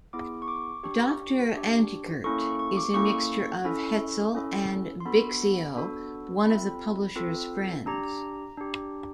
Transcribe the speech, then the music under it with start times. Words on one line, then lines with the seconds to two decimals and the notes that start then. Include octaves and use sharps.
Doctor Antekirtt is a mixture of Hetzel and Bixio, one of the publisher's friends.
0.13 B3 E4 G#4 D6
0.42 C#6
0.48 D6
0.83 D4 G4 C#6
1.54 D4 G4
2.24 A#3 C#4 E4 A4 C#6
2.42 C#6
2.59 C#6
2.77 D6
2.94 A#3 C#4 E4 A4 C#6
3.65 C#4 E4 A4
4.35 C#4 E4 A4
5.00 C6
5.05 B3 D4 F#4 A4 B5
5.75 B3 D4 F#4 A4
6.46 C4 F4 A4 B5
7.15 C4 F4 A4
7.86 D4 G4 A#5
8.57 D4 G4